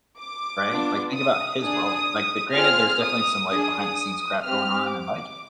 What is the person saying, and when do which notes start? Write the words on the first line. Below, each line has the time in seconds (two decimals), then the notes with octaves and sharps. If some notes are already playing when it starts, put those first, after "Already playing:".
Right? Like, think about his world, like the granted, there's definitely some, like, behind-the-scenes crap going on, and like,
0.19 D6
0.66 B3 D4 F4
1.14 D#6
1.61 D4 G#4 D#6
2.55 C4 F4 G#4 F6
3.02 D#6
3.49 D4 G#4 D#6
4.43 C4 G4 F6
4.90 D6